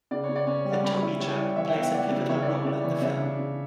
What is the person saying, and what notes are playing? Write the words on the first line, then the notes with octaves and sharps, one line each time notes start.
The Toby Jug plays a pivotal role in the film.
C#3 D5
C#5
C#3
D5
C#4 C#5
G3
D5 F#5
C#4 G5 B5
E4
G3 C#5
E4 D5
E3 C#5 E5
E5 G5
B3
E5 G5
E4 D5 F#5
C#3
C#3 C#5 E5
D5
E4
D5
C#3 D5
E3 C#5
C#3 C#5 E5
D4
C#3